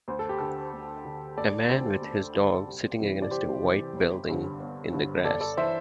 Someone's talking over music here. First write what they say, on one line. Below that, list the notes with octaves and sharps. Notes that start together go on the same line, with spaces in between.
A man with his dog sitting against a white building in the grass.
D2 C5
A4
G4
D3 A4
D2
D3
D2 A4 D5
D3 G4 C5
D2
D3
C2
C3 E3
D5
C2 G4 C5
C3 E3
G1
G2 D3
G1
G2 D3
G1 A4 D5
A4 D5
E3 C5 E5